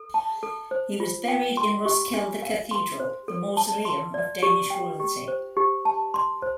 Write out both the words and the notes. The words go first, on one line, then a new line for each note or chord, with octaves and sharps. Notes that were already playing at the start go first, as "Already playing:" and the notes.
He was buried in Roskilde Cathedral, the mausoleum of Danish royalty.
Already playing: A4
A5
A4
C5
F4
G5
C6
G4
D4
F5
C6
C5
A4
A5
C6
D5
G4
G5
G4
C5
G4
A5
C6
C5